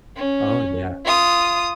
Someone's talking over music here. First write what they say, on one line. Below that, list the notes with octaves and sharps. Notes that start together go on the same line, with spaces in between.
Oh, yeah,
C#4
F4 D#6